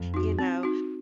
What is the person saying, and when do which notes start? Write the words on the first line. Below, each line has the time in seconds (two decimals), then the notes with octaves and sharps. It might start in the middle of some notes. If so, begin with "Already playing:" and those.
You know?
Already playing: F2
0.14 D#4 F#4
0.39 C4
0.63 D#4 F#4